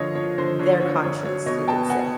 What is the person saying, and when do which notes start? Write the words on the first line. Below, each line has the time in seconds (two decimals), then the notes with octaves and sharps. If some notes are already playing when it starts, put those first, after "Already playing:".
their conscience, you could say.
Already playing: D3 F3 C#5 D#5 F5
0.15 F3 C#5
0.38 D3 C5
0.59 D3 C#5
0.80 D3 C#5
1.03 D4 C#5
1.24 F#3 C#5
1.46 B2 C#5 D#5
1.68 B3 G5 A5
1.90 B2 F#5 G#5